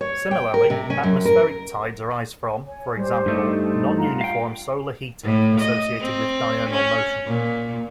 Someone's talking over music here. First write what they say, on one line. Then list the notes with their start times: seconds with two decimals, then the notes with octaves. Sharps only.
Similarly, atmospheric tides arise from, for example, non-uniform solar heating associated with diurnal motion.
0.01 C#5
0.31 G5
0.54 A#4
0.70 C3
0.90 C#4
1.03 F#2
1.25 A#4
2.65 C#5 G#5
2.96 G3 G4 C5
3.26 G2 A3 D#4
3.65 C5 A5
3.96 F4 F#5 A#5
4.21 F5 G5
5.24 A2
5.61 D#5
6.01 C4
6.70 C#4
7.26 A#2